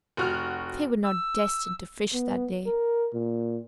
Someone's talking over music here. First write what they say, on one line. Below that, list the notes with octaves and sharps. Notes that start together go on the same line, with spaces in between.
They were not destined to fish that day.
F1 F#4 F6
E6
B3
A#4
A#2